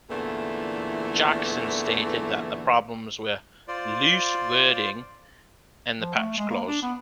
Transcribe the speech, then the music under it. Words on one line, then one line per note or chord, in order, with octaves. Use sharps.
Jackson stated that the problems were "loose wording" and the patch clause.
E2 A#2 D3 E3 A3
F4 C5 D5
F3
A3
G#3
A#3
D4
B3